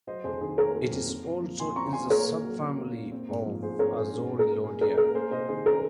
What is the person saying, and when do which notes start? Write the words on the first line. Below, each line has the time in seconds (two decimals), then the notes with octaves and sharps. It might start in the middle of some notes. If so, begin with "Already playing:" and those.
It is also in the subfamily of "Azorelloideae".
0.07 F#3 C5 D#5
0.24 F2 G#4 C5
0.41 D#3 G#4 C5
0.58 C4 A#4 C#5
0.75 F#3
0.91 F2
1.09 C4
1.26 A#2
1.42 F3
1.59 A#2 G#5 C6
1.76 C4 A#5 C#6
1.93 A#2 G#5 C6
2.10 A#3 A#4 C#5
2.27 A#2
2.44 F#3
2.61 C#4
2.78 A#3
2.95 A#2
3.12 C4
3.29 G#2
3.46 F3
3.62 G#2 G#4 C5
3.79 C4 A#4 C#5
3.96 G#2 G#4 C5
4.13 C#4 G#4
4.30 A#2
4.39 A#4
4.47 G#3
4.64 A#2 G#4
4.81 C#4 A#4
4.97 A#2 A#4
5.14 A#3 G#4 C5
5.31 C3 C5 D#5
5.49 D#3 G#4 C5
5.66 C#4 A#4